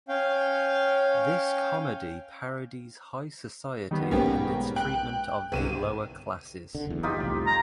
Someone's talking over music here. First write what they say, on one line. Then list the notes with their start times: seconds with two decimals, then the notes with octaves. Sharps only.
This comedy parodies high society and its treatment of the lower classes.
0.08 C#4 F5 G5
3.91 D#3 G3 B3
4.11 B1 G#2 A#3 B3 C#4 G4
4.76 G5 F#6
5.52 G1 C2 G2 D#7 E7
6.75 D3
6.87 F#1 E2
7.03 D#4 F4 G4
7.17 C2 F2 A2
7.46 A#5